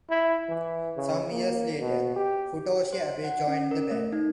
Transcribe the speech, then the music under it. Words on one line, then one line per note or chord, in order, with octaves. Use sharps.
Some years later Futoshi Abe joined the band.
E4
E3
C#3
A#3
B2
G4
C5
F#5
C#4
A#4
A3
D#4